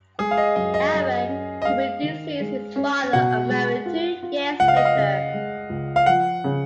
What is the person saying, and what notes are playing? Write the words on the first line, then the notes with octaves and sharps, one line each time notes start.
However, he predeceased his father, unmarried two years later.
G#3 G#4
F5
D#5
F#2 D#5
D#5
F#2
C#4
D#5
G#3 F5
D#3
G#3
C#4
B2 F#5
G#3
F4
F4
C#2 F#5
F5
D#5
F5
C#3
G#3
C#2
F5
F3 F#5
C#3